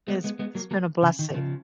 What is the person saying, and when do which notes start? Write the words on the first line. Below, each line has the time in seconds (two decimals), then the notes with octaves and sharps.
It's it's been a blessing.
0.08 G#3 B3
0.24 G#3 B3
0.39 G#3 B3
0.55 F#3 A#3
0.71 F#3 A#3
1.03 C#3
1.19 D#3
1.30 D#3
1.34 C#3 F3